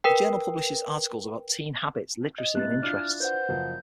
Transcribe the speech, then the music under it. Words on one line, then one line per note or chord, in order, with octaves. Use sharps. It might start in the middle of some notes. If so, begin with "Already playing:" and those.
The journal publishes articles about teen habits, literacy, and interests.
A#4 B4 G5
D#5
A2 C3 F#6 A6
D4 E4 F4 F6
B4 C5 F#5 G6
F#1 F3